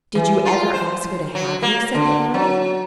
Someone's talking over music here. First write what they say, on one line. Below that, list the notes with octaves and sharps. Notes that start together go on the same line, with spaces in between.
"Did you ever ask her to have you?" said the earl.
E3
F4
C5
F#3
A#3
D3
F#3